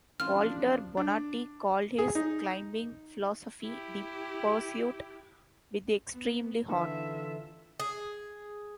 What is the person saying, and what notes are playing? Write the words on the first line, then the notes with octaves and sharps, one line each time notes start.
Walter Bonatti called his climbing philosophy "The pursuit with the extremely hard".
A1 F3 C4 D4 F4 F6
D4
G#4
D#4
E4 G4
B3
D3 E3 F4 A4 E5
G#4